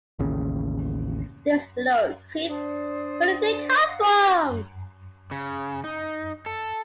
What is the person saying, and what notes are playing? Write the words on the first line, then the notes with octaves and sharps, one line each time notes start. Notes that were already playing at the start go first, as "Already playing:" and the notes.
This little creep, where did he come from?
A1 D#2 C#3
D4 C5 D5 D#6
F5 F#5
C#3
D#4
A4